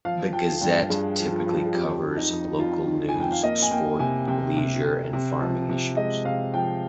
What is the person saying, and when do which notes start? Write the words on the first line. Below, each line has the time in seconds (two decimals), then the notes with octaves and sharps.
The "Gazette" typically covers local news, sport, leisure and farming issues.
0.05 F3 F5
0.33 F3 G5
0.61 G2 G5
0.90 G2 G#4
1.18 F3
1.31 F4
1.46 F3
1.66 G#4
1.74 F2 G4
2.02 F2
2.17 D#4
2.31 F2
2.59 F2 F4
2.87 D#3
3.09 G#5
3.15 F2 G5
3.32 F5
3.43 A#3 D#5
3.62 G#5
3.71 A#3 G5
3.99 C3 G#5
4.27 C3 G5
4.57 C3
4.84 C3
5.13 C3
5.40 F3
5.69 C3
5.97 G#3 D#5
6.25 C3 F5
6.54 F3 G5